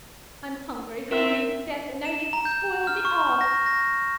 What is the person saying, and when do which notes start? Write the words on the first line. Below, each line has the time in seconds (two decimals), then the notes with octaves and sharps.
I'm hungry, hungry to death, and now you've spoiled it all!
1.11 C4 A#4 E5
2.05 E7
2.33 A#5
2.45 G6
2.87 F6
3.05 C#6
3.41 A#6
3.66 A#6